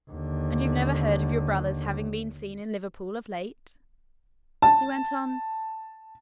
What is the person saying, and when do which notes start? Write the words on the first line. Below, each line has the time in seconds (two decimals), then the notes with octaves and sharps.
"And you've never heard of your brother's having been seen in Liverpool of late?" he went on.
0.10 D#2 D3
4.62 A5